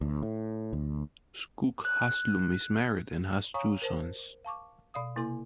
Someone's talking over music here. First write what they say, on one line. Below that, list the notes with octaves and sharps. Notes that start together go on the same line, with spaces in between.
Skoog Haslum is married and has two sons.
D2
A2
D2
F#6
C#5 F5 G#5 A#5 C#6 D#6
A#4 C5 A5
F5 A5 C#6 D6
B2 D5 F5 D#6
C3 A#3 E4 A4 G#5 C6